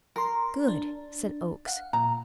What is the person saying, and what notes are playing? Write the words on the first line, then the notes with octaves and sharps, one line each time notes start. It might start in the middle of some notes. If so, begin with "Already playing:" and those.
"Good!" said Oakes.
A#4 A#5 C6
D4
F5 F#5
A#2 A#5